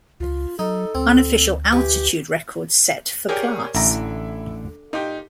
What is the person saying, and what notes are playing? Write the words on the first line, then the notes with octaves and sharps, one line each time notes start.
Unofficial altitude record set for class.
C#2 F4
F#3 D#4 A4
D2 C4
E3 G4 C#6
G4 G#4 A#4 C#5 D5
A1 D3 E4 A#5
A#2 D#4 G4